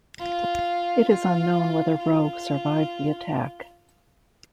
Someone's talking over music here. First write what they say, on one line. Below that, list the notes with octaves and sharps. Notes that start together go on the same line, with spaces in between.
It is unknown whether Rowe survived the attack.
F4
F4
F4